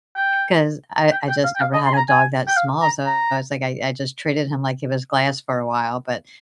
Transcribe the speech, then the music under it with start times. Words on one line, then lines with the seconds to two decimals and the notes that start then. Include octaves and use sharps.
'Cause I I just never had a dog that small, so I was like I I just treated him like he was glass for a while. But
0.16 G5
1.12 G5
1.29 G5
1.44 F5
1.56 G5
1.61 F5
1.73 D#5
1.86 C6
1.93 G#5
1.97 A#5
2.09 G#5
2.48 G5
2.57 F5
2.82 A#5
3.06 A#5